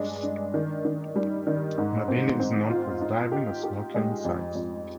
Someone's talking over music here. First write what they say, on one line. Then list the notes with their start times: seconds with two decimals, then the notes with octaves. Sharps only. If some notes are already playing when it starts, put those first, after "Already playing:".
Mabini is known for its diving and snorkeling sites.
Already playing: G2 G#3 D4
0.23 D4
0.54 D#3
0.85 D#3
1.16 G3
1.47 D#3
1.78 G#2
2.08 C4
2.39 C4
2.70 F4
3.01 D#4
3.32 G4
3.64 G4
3.94 G#3
4.25 F2
4.55 F2